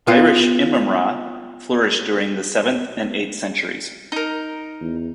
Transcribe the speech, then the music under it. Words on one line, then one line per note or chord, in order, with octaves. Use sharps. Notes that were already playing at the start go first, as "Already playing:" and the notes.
Irish immrama flourished during the seventh and eighth centuries.
B3 F4
D#4 A#4
E2